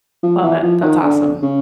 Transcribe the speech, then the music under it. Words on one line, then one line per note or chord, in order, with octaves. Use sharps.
Love it. That's awesome.
F3
E3
F3
D#3
D3
C#3